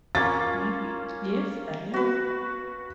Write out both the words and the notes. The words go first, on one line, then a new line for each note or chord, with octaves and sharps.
Mhm. Yes, I never.
A#3 C#4 F4 A6
F#4 B4